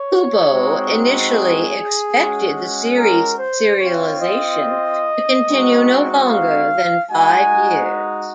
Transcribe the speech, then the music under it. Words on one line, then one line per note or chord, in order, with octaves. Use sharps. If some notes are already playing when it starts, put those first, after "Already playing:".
Kubo initially expected the series' serialization to continue no longer than five years.
Already playing: C#5
G#3 C4 D#4 F#4
G#4
G#3 C#4 F#4
A#4
C5
C4 F4 C#5
D#5
G#3 C4 D#4 F#4
F5
G#3 D#4 F#4 G#5